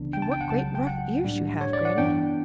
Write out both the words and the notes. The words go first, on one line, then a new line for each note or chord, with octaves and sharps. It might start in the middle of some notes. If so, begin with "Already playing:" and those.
"And what great rough ears you have, Grannie!"
Already playing: C#2 C#3 E3 B3 D4
G5
A5
G5
F#5
C#2 C#3 F#3 A5
G5
F#5
A2 G3 D4
C#5
D5
F#5
G2 E3 B3 D4 G5